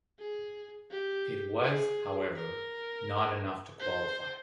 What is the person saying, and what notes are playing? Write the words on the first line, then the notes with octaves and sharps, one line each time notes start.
It was, however, not enough to qualify.
G#4
G4
G#4
A#4
C5